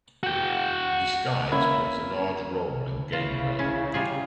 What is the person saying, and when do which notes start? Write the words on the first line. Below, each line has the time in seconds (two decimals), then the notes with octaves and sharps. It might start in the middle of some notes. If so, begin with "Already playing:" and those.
Disguise plays a large role in gameplay.
0.23 F#4 G5
1.52 C#3 A#3 C#4 E4
3.13 C#3 E4 F4
3.59 C#4
3.94 G3 F4 G#4